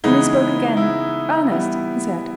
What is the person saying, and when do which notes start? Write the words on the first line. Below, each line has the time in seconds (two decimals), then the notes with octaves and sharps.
Then he spoke again: 'Ernest,' he said.
0.04 C#3 E3 G#3 B3 D#4
0.77 E4
1.50 E3 G3 B3